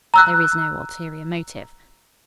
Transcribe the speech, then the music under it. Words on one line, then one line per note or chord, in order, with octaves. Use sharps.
There is no ulterior motive.
A#5 E6 F#6